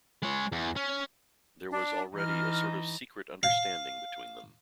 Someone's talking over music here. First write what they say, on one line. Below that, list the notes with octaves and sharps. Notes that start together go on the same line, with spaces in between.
There was already a sort of secret understanding between them.
G#3 C#5
E2
C#4
D4
E3 D#4 F6
F5